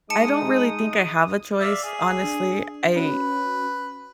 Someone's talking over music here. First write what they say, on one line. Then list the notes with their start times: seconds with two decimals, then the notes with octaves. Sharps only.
I don't really think I have a choice, honestly. I
0.10 G#3 D#4 A5 D#6 C#7
1.60 D5 E5 F5
1.84 G#4
2.24 D4
2.97 C#4 F#4 B4